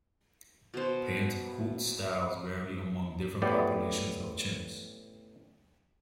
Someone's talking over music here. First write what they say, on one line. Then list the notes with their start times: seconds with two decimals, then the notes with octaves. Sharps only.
Pant-hoot styles vary among different populations of chimps.
0.74 B2 C5
3.42 A2 B3 G4 D5